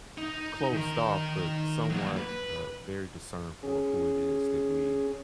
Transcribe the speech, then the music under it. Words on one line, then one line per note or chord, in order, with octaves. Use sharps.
closed off, but somewhat, uh, very discernful of who it is that we
D#4
D#3 A#4
F#3 A#3
B4
C#4 G#4